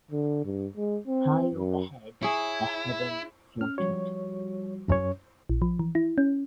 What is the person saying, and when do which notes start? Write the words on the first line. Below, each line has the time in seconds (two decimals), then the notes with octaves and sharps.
High overhead a heron floated.
0.11 D3
0.45 G2
0.77 G#3
1.07 C4
1.55 F#2
2.23 E4 G#4 C#5
3.61 C#4 F6
3.78 F3 G3 F#4 C#5
4.88 F#2 C#4 C#5
5.50 A#1
5.62 F3
5.79 E3
5.95 E4
6.18 C#4